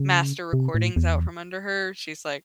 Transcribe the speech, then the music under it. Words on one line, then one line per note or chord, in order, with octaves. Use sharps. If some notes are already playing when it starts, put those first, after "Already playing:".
master recordings out from under her. She's like,
Already playing: C#3
C3
A2
E2